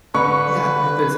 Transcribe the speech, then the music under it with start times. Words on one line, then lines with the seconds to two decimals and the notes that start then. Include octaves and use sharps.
Yeah, if there's
0.14 D3 B4 C#6